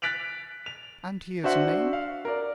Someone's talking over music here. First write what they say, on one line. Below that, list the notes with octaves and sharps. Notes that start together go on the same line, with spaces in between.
"And he is named?"
F#6 A6 B6 D7 F7 F#7
F7
D4 F#4 C5 E5 F#5
F5
A#4 D5